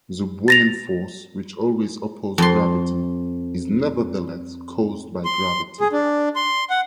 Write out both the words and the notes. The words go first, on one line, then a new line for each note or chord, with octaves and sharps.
The buoyant force, which always opposes gravity, is nevertheless caused by gravity.
A6 A#6 F7
F2 C6
C6
G#4
D4
C6
F#5